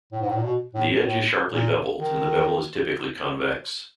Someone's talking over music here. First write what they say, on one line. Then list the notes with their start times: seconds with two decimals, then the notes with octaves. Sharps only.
The edge is sharply beveled and the bevel is typically convex.
0.12 A2
0.21 G#2
0.28 A2
0.36 A#2
0.43 B2
0.74 A2
1.04 A2
1.52 A#2
1.99 D#3